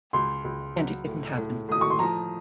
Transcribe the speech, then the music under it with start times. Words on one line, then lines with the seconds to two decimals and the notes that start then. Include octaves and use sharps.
And it didn't happen.
0.13 C#2 C6
0.45 C#2
0.76 F#3
1.07 A2
1.37 A2
1.69 A2 D#6
1.81 C#6
1.90 C6
1.99 F3 A#5